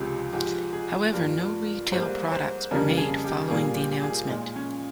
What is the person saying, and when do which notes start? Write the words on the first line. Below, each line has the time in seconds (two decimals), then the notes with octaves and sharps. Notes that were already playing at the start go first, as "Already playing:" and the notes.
However, no retail products were made following the announcement.
Already playing: C#2 C3 F3 G#3 G4 G#4
0.33 G#2 F3 G#3 G4
0.73 G#4
1.13 G2 F3 A#3
1.92 G#2 G3 A#3 C5
2.32 C5
2.71 F2 C#3 G3 A#3 A#4
2.97 G#4
3.24 G4
3.50 A#2 G3 A#3 G#4
3.77 G4
4.03 G#4
4.29 A#2 G#3 D#4
4.56 C#4